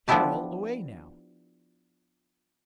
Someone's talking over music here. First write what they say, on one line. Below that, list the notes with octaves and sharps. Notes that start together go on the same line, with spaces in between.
"Carol away, now!"
F3 B3 D4 E4 G4 A5